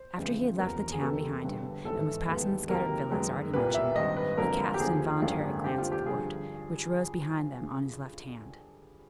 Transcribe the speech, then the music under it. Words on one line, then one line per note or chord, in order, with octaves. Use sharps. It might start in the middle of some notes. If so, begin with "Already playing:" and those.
After he had left the town behind him, and was passing the scattered villas already mentioned, he cast an involuntary glance at the wood, which rose behind them on his left hand.
Already playing: C5
F2 C#3 E3 G#3 B3
E2 C3 F3 A#3 A#4
G#4
E2 B2 G3 A#3 A4
G1 G2 D3 G3
A1 G#2 E3 A4
D#2 D#3 G#3 B3
F2 C3 D#3 F#3 A#3 A#4
F#2 D#3 G#3 B3
C2 A#2 G3 A#3 B4
E5
G#1 G2 D#3 D#5
B4
F#1 F2 D3 F#3 A#3 A#4
G4
D#2 D3 F3 G#4
G#1 F#2 D3 G3 A#3
D#2 D3 G3 C4 G4
F4
G4
G2 D3 F3 G#4